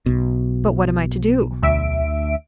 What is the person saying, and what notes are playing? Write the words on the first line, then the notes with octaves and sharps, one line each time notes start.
"But what am I to do?"
B1 B2
D2 E5 D7